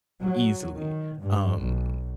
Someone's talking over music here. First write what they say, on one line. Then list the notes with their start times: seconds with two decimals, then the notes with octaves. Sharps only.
easily, um,
0.22 F#3
0.75 D#3
1.21 G2
1.60 B1